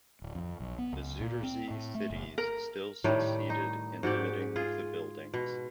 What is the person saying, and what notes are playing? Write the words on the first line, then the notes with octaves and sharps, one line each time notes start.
The Zuiderzee cities still succeeded in limiting the buildings.
D1
F2
B1
B3
C#2
A#2
C4
A2
A3
F#1
A#4
A2 D#3 G3 A3
D#4
G#2 F#4 G4 D5
F4 G#4
B2